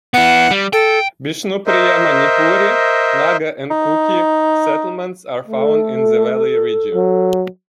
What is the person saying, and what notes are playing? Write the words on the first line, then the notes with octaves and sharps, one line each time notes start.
Bishnupriya Manipuri, Naga and Kuki settlements are found in the valley region.
B3 E4 F#5
G3
A4 G5
A#4 C5 D#5 E5
D#4
A3 A4
F#3